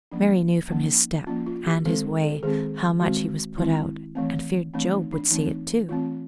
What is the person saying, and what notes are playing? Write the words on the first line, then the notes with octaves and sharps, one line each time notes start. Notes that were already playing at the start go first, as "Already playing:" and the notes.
Mary knew from his step, and his way, how much he was put out, and feared Job would see it, too.
F3 A#3 C#4 D4
F3 A#3 C#4 D#4
F3 A#3 C#4 F4
F4
G4
D#3 G#3 C4 A4
A4
D#3 G#3 C4 G#4
D#3 G#3 C4 F#4
D#3 G#3 C4 E4
E3 A3 C4
E3 A3 C4 D4
D#4
D4
E3 A3 C4 D#4
E3 A3 C4 F4